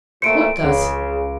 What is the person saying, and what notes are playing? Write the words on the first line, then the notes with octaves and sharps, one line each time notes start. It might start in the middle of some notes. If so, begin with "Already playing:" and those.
"What does?"
A#2 F3 A3 C5 C#7 D7
C#2 C#3